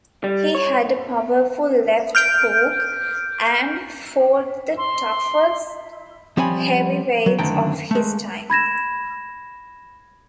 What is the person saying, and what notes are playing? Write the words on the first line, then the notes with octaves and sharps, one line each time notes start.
He had a powerful left hook, and fought the toughest heavyweights of his time.
G3
C#5
F6 G6 D7
C6
F3 G3 C4 C#5 G#5 B5
F#3
F#2 D3 D#3 A3 G5 A#5
G#3 A3
B5 G#6 A#6 E7